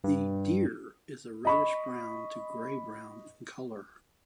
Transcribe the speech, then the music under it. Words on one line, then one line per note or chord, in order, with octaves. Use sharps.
The deer is a reddish-brown to grey-brown in color.
G2
D#5 B5 C#6